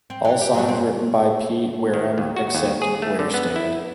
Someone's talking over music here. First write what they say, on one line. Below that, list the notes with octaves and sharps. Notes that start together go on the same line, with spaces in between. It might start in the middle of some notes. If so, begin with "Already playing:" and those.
All songs written by Pete Wareham except where stated.
C4
E3
G4
G2 F#3 A3
C4
D#3
D#2
F#4
D#2
G#4
A3
D3
B3
E4